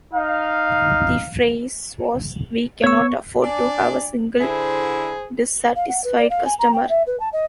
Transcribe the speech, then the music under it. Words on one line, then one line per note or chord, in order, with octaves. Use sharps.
The phrase was, "We Cannot Afford To Have A Single Dissatisfied Customer".
D#4 F5
B3 C#5 C#6 E6
D4 D5 G#5
D3 E4 G#4 C5
F5
F#5
B4
D5
F5
G#5
A#5
G5
E5
B4
A5
D#5